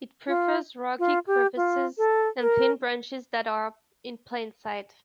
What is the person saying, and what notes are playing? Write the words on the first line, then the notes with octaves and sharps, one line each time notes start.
It prefers rocky crevices and thin branches that are in plain sight.
F4
F4
G4
F4
A4
A#4